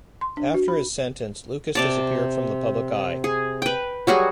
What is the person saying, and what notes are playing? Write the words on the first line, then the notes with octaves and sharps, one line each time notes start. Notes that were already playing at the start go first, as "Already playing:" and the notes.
After his sentence Lucas disappeared from the public eye.
C6
D4
F#4
B5
C3 D5 A5
G#4
B4 G5
F#3 G3 F#4 G#4